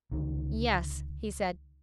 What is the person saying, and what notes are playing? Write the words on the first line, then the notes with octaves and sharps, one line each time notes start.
"Yes," he said.
C#2 D3 D#3